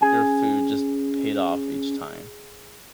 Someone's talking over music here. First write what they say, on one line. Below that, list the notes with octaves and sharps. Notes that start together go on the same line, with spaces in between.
your food just paid off each time.
C#4 G#4 G#5